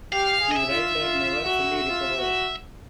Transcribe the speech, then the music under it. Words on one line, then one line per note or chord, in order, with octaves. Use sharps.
His right leg never fully recovered.
G4 F5
G#4
D#5
E5
F4
F4
F#4
F4
F#4